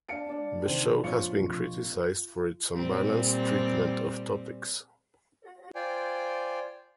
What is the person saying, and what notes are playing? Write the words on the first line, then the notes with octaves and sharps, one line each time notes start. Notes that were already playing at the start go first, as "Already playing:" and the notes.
The show has been criticized for its unbalanced treatment of topics.
D4 F5 A5 C#7 D7
D4 D5
C3 D#3 C4 C5
A#1 F4 C#5 D#5 C#7
F1 A#1 A#2
A#2 G3 C4
F4 C5 D5 G5 G#5